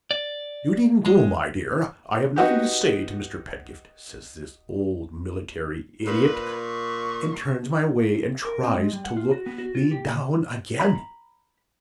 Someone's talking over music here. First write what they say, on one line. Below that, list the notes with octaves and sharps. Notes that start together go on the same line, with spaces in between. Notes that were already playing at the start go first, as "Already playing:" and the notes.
'You needn't go, my dear, I have nothing to say to Mr. Pedgift,' says this old military idiot, and turns my way, and tries to look me down again.
D5
G#3
B3 D#4 F#4 G4
A#2 B4
C#6
A#4
C4
G#3
G3
F#5
F4
F#4
B3
F#4
F4
G4
A#2
A#5 B5